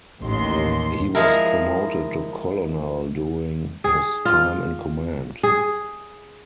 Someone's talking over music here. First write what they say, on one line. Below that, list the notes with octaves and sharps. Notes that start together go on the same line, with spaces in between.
He was promoted to colonel during his time in command.
A1 D#2 C6
F3 G#3 E4 A#4
G#4
F4
G#4